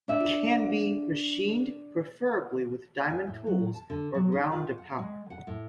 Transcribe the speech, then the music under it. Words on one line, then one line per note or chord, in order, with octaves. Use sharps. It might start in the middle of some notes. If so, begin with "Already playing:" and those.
It can be machined, preferably with diamond tools, or ground to powder.
D4 E5
G#5
A2
F#3
A5
D3
F#3
D#4
F4
F#5
G#3
F#5
A2